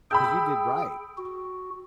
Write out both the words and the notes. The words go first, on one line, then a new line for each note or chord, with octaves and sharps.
'Cause you did right.
G#4 G5 B5 E6 G6
F#4